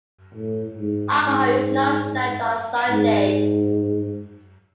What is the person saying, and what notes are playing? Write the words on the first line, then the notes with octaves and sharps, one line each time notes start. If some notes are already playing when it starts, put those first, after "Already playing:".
Alcohol is not served on Sunday.
A2
G#2
G#2
G#2